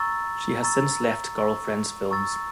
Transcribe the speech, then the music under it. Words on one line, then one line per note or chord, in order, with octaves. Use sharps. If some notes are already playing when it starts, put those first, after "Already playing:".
She has since left Girlfriends Films.
Already playing: A#5 C#6 E6 A6
A#5 C#6 E6 A6
A#5 C#6 E6 A6
A#5 C#6 E6 A6